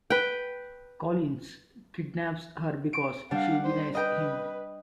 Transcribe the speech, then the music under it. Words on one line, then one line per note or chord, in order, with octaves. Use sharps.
"Collins" kidnaps her because she denies him.
B4 G5
D7
G3 D4 F5 F#5
C5
B4 D#5 G5